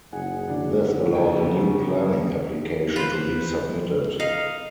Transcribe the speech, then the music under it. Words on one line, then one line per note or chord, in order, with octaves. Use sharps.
This allowed a new planning application to be submitted.
F#1 D#4 G#4 F#5 G#5 C#7
D3 F#3 D4
C#3 G5
F4 B4 C5
D#4 F5